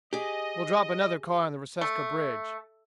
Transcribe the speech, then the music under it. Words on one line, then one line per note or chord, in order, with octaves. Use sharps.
We'll drop another car on the Reseca bridge.
G4 G#4 D#5
A3